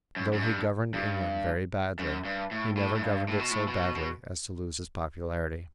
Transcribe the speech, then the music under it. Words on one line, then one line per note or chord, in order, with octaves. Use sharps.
Though he governed England very badly, he never governed it so badly as to lose his popularity.
F#2
F#2
G2
G2
F#2
G2
A2
A2
A2
G2
A2
B2
A2
B2
B2